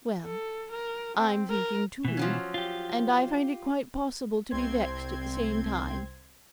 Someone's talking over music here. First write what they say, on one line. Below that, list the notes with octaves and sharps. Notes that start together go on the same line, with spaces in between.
'Well, I'm thinking too, and I find it quite possible to be vexed at the same time.
A4
A#4
C4
A#4
B2 E3
F3 F#3 C#4
F4 G4
C2 C4 C6 G#6